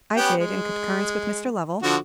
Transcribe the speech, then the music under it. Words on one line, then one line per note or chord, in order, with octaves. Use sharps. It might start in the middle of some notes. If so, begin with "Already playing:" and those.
"I did, in concurrence with Mr. Lovell."
B3 C#4 G4
G#3
D3 F3 F#4